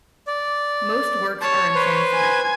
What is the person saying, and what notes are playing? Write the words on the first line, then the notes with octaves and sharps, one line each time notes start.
Most works are in Sanskrit.
D5
C#5 A5
B4 C5
G#5 G#6